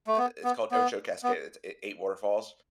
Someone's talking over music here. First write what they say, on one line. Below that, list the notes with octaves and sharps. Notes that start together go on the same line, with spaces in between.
i i it's called Ocho Casca it's eigh eight waterfalls.
A3
B3
B3
B3
B3